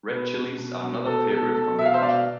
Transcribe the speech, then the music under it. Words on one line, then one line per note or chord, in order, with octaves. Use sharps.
Red chilies are another favorite from the region.
B2 B4
B2
B2
B2
B2 A4
B2 A4
B2 A4
B2 E5
F5
C5 E5
B2 D5 F5